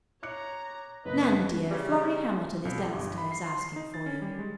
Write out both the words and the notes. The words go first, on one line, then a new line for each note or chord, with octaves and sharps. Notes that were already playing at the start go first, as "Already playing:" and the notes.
"Nan, dear, Florrie Hamilton is downstairs asking for you."
C#5 A#5 D6 F#6 C#7
F#1 A#3 B4 D#5
C#3 G3
B1
G4
G1
B5
C7
C6
C7
D#4
A6
C#4
G3
G#3